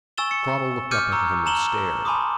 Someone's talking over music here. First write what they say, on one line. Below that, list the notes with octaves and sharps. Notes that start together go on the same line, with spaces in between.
Cradell looked up at him and stared.
G#5 C#6 E6 A6 E7 G7
C#7
D6 F6 G6 G#6 C#7 D#7
A#5 C#6 E6
A5 A#5 E7 F#7 G7
G#5 A5 B5 C6 D6 D#6